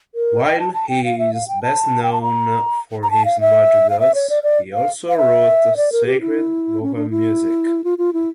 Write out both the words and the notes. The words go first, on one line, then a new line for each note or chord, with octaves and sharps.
While he is best known for his madrigals, he also wrote sacred vocal music.
A#4
G5
A5
A5
G5
F5
E5
F5
G5
A5
G5
A5
A#5
A#5
A5
F5
E5
F5
E5
C#5
D5
D5
F5
F5
E5
D5
A#4
G4
E4
C#4
D4
E4
F4
F4
E4